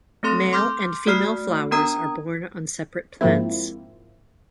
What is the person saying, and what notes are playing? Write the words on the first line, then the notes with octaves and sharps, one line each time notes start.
Male and female flowers are borne on separate plants.
A3 C4 A4 C6 A#6
C6 D6 F6 G6
A3 F#4 D5 F6 C7
B3 D4 A#4 A#5 D#6 G#6
G#2 F3 A#3 C4 E4